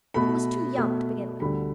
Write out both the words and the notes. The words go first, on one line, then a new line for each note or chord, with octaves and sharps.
He was too young, to begin with.
B2 A3 B5
B2 A3
D2 D3 G3 B5